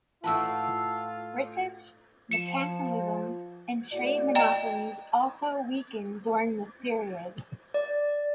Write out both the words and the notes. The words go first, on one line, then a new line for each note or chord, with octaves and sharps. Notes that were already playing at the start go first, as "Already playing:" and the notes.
British mercantilism and trade monopolies also weakened during this period.
A2 F4 F#4 B4 A5 E6
F3 C#7 E7
A2 F#4 D5
D#5 G5 A#5
D5